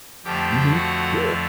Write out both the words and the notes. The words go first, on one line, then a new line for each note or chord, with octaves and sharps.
Mhm. Yeah.
F2 D3 F3 A3 G4 G5
F#4 F#5